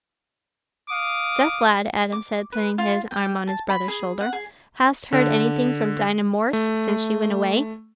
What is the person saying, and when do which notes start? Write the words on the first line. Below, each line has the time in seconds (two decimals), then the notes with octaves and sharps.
"Seth, lad," Adam said, putting his arm on his brother's shoulder, "hast heard anything from Dinah Morris since she went away?"
0.89 F5 D6 D#6
2.12 D6
2.52 B4
2.78 F4
3.11 G5
3.47 A5
3.70 B5
3.88 G#4
4.21 F#5
4.33 G#4
5.12 D3
6.53 A3